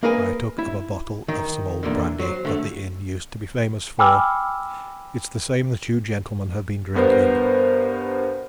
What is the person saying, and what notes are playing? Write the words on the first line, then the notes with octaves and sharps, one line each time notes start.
I took up a bottle of some old brandy that the inn used to be famous for--it's the same that you gentlemen have been drinking.
A#3 G#4 A#4 B4 G#5
E4
D#3
E2 A#2 D3
F#3 C5
D3 A3
G5 G#5 B5 D6 E6 F6
G2 B3 A#4 C5